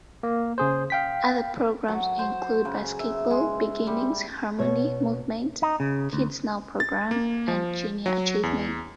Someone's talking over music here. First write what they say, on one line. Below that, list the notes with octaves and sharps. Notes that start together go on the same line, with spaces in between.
Other programs include Basketball Beginnings, Harmony Movement, Kids Now Program, and Junior Achievement.
A#3
C#3 G#4 C5
F5 G5 B6
F#3
C5
C#3
E5
G#3
G3
B2 C#5
D#4
C#3
D2
A6
A#3
F3
F#3
E2